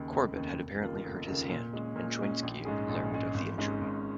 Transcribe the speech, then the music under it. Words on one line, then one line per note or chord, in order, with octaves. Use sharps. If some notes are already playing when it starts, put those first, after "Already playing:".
Corbett had apparently hurt his hand, and Choynski learned of the injury.
Already playing: D#2 C#3
F1
D#2 C#3
F1
D#2 C#3 A#3 F4
F1
D#2 C#3 A#3 F4
A#2
G#3 C#4
A#2
G#3 C#4
A#1
G#2 G#3 C#4 G#4
A#1
G#2 G#3 C#4 G#4
G#1
G#2 G#3 C#4
G#1